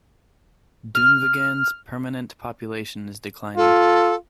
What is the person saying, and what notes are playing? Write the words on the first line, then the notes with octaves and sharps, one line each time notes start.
Dunvegan's permanent population is declining.
F6
F4 A4